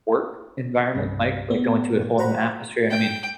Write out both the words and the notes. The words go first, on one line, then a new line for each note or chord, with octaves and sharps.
work environment, like like going to a whole new atmosphere? And I mean,
C2 G2 C3
B3
A#2
F#4 C5 F#5 A#5 B5
G5